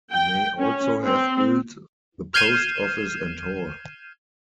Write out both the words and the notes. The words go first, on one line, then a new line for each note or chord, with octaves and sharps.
He may also have built the post office and hall.
G5
C#4
C4
F6 G6 G#6 C7 D#7 E7